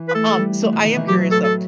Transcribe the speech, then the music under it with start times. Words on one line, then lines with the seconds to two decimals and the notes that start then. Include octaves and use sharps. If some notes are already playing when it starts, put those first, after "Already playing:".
Um, so I am curious though,
Already playing: E3
0.08 B4
0.15 A3 A4
0.38 G3
0.62 A3
0.72 B2
0.84 D#3
0.96 E3
1.08 F#3 G4
1.31 A2 A4
1.43 A4